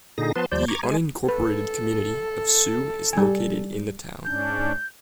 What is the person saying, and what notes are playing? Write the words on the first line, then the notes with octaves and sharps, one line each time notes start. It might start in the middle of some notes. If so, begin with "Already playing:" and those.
The unincorporated community of Sioux is located in the town.
A#2 D3 D#4 G#4 A#6
F3 B3 B4 A5 C6
D#2 F3 G3 C5 D5 G6
A#5 C#6 D6 G#6
G#3 G#5
A4 B4
G3 G#5
G#2 C#4 D4 G6